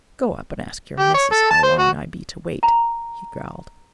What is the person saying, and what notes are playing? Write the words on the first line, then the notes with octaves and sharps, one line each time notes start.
"Go up and ask your missis how long I be to wait?" he growled.
G4
C#5
A4
A5
C5
F#4
A#5